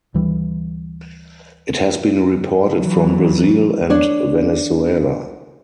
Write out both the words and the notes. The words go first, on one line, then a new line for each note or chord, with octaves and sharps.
It has been reported from Brazil and Venezuela.
D2 E3 G3
E3 F#3
D4 C#5